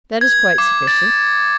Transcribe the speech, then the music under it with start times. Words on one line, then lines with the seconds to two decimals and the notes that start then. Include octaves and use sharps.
'That is quite sufficient.
0.21 G#6
0.58 D6
0.87 A6